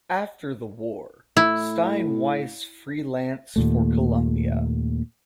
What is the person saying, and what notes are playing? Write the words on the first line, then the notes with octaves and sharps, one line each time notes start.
After the war, Steinweiss freelanced for Columbia.
A2 E4
D#2 A#2 A3